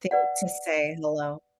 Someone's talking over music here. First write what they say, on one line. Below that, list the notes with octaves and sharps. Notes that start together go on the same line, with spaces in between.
think to say "hello".
B4 D5 F#5